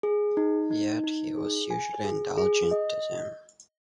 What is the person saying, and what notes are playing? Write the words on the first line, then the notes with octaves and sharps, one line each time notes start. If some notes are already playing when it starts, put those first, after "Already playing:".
Yet he was usually indulgent to them.
G#4
D#4
D#4
D#4
G#4
G#5
G#4
G#4
D#5